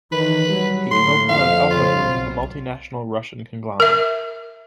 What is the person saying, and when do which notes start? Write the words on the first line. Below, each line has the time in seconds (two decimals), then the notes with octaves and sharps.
He co-founded Alfa-Group, a multinational Russian conglomerate.
0.12 D#3 E3 B4
0.49 F#3 G3
0.91 A2 D3 A#3 C6
1.29 F2 F5
1.71 C#3 C4 F4
2.05 B1
3.80 A#4 E5